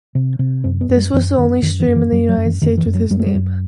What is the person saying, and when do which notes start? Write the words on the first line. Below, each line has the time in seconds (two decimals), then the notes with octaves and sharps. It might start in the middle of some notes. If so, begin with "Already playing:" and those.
This is the only stream in the United States with this name.
0.15 C3
0.39 C3
0.64 F#2 C4
0.81 B3
0.89 F#2
0.97 G3
1.14 F#2 E3
1.38 F#2 D#3
1.62 F#2 D#3
1.80 E3
1.87 F#2
1.96 E3
2.12 F#2 F#3
2.29 F#3
2.37 F#2
2.45 E3
2.62 F#2 D#3
2.78 E3
2.86 F#2
2.95 F#3
3.10 F#2 G3
3.19 A3
3.26 G3
3.35 F#2